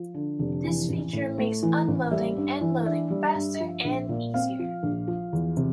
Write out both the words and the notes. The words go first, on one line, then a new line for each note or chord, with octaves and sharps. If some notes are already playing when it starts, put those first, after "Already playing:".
This feature makes unloading and loading faster and easier.
Already playing: F3
D3
F1
E3
A1
A2
A3
E3
A1
G3 E5
G2
E3
D4 E5
G3
G2
F3
A#1
A#2
C4 F5
F3
A#1
F3
E2
C3